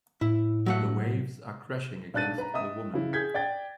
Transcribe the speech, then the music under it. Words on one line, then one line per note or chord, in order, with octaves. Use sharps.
The waves are crashing against the woman.
A2 E4
F#3 A3 F#5
B1 D4 F#6 A6 D#7
B4 A#5
D#5 E5 D#6
C#3 E4
G#4 G6 G#6 B6
D5 G5 A6